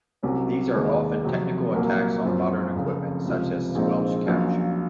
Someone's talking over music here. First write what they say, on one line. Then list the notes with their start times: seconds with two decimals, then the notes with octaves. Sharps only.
These are often technical attacks on modern equipment, such as "squelch capture".
0.23 C2 C3 F#3 C#4
0.74 D#2 D#3 G#3 D#4
1.24 F2 C3 F#3
1.74 C2 A#2 F#3 A#3
2.24 F#2 F3 C4 F4
2.75 F1 F2 C#3
3.25 C#2 C3 F3
3.75 A#1 A#2 G#3 C4 D#4
4.25 A#1 A#2 F#3 C#4 F4